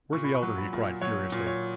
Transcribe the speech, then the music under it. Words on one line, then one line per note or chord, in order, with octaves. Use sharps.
"Where's the Elder?" he cried furiously.
A#2 C#6
B5
C#6
F#3
B5
A#2
F#3 C#5
A#2
C#5